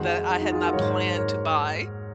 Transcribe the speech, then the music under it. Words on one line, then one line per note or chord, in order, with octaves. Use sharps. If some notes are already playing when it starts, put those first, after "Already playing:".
that I had not planned to buy,
Already playing: F2 D#3 G#3 D#4 F#4
D#4
D#4 F#4
F4 G#4
F#4 A#4
G#2 D#3 F#3 A#4 C#5
A#4 C#5